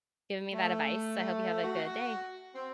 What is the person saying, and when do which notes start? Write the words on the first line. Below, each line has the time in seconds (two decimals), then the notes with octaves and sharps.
giving me that advice. I hope you have a good day.
0.53 A3
1.64 F#4
2.55 C4